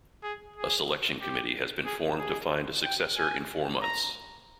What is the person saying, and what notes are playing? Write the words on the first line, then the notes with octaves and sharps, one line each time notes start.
A selection committee has been formed to find a successor in four months.
G#4
G#4
G4
G#4
G#4
G5
G#5
A#5